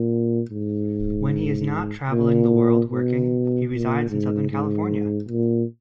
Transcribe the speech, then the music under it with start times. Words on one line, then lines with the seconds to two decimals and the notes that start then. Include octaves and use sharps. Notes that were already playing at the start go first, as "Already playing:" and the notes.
When he is not traveling the world working, he resides in Southern California.
Already playing: A#2
0.50 G#2
2.10 A#2
2.90 B2
3.70 A#2
4.09 G#2
4.49 G#2
5.28 A#2